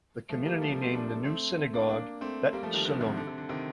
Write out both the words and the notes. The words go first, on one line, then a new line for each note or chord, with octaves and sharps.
The community named the new synagogue "Bet Shalom".
F3 A3
G3 A#3
F3 A3
G3 A#3
A3 C4
A#3 D4
A3 C4
A#3 D4
A#3 D4
A3 C4
G3 A#3
F3 A3
D#3 G3
D3 F3
C3 D#3
D3
C3
D3
C3 D#3